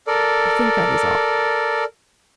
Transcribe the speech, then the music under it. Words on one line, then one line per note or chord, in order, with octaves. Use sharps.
I think that is all.
A4 A#4 D5